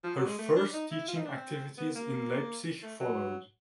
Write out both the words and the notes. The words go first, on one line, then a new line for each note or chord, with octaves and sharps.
Her first teaching activities in Leipzig followed.
F3
F#3
G#3
A3
D4
D#4
E4
F4
D#4
D4
C4
B3
A#3
A3
F#3